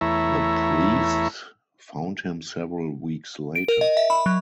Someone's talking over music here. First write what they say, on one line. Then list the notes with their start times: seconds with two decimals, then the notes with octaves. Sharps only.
The priests found him several weeks later.
0.01 E2 A3 E4 C#5 E5 A#5
3.55 D7
3.68 A#4
3.81 D#5
3.97 E5
4.10 B5
4.26 F#3